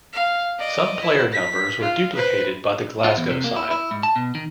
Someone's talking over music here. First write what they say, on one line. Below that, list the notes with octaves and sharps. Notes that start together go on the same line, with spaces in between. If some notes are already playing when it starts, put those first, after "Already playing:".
Some player numbers were duplicated by the Glasgow side.
F5
D5 D#5
E4
B6
F4
B4 C5
F4
E2
C3
A#3
E4
E4
G#2
A5
B2
D#3